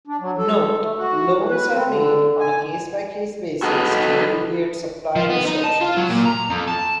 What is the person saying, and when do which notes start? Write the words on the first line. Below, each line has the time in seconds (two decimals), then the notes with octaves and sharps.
Note: Loans are made on a case-by-case basis to alleviate supply disruptions.
0.07 D4
0.21 F#3
0.38 A4
0.80 A3
0.97 F#4
1.35 E3
1.49 B4
1.72 C4
1.87 D3
2.40 G#5
3.63 F#4 A4 B4 D#5
5.16 F3
5.29 B3
5.46 D#4
5.64 A5
5.81 F4
5.97 F#3
6.09 A#2
6.25 A#5
6.49 F2
6.68 A5